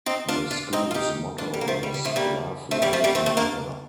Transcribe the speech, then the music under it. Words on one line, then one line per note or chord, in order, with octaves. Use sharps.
The schools motto is: "Love One Another".
C4 D#4
D4 F4
D4 F4
C4 D#4
F4
D#4 G4
D4 F4
G3
A#3
F3 A3
G3
G3
F3 A3
G3 A#3
A3 C4
G3 A#3
F3 A3
G3 A#3
A3 C4
A3 C4
A#3 D4